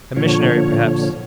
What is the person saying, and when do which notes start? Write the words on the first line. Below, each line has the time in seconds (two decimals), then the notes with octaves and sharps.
"A missionary, perhaps."
0.16 A#2 D3 F3 C#5